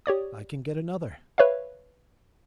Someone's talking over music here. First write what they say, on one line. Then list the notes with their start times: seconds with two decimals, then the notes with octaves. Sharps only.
'I can get another.
0.06 G4 C#5 D5 D#6
1.38 B4 C#5 E5 F5